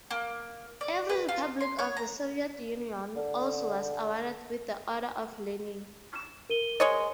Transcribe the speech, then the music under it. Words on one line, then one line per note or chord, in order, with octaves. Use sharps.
Every republic of the Soviet Union also was awarded with the Order of Lenin.
A#3
D5
B4
F4
C6
C#5
A#5
D3
E7
A#4 D#7 G7
G#3 C#5 D#5